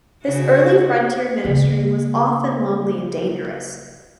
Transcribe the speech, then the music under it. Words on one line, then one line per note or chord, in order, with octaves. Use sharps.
This early frontier ministry was often lonely and dangerous.
C#3 F#4
C#3 A#3